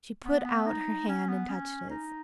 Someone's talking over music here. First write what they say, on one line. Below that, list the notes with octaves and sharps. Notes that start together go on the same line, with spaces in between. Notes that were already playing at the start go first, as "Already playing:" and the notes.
She put out her hand and touched his.
B3
B3
D#4
C#4
B3
C#4
D#4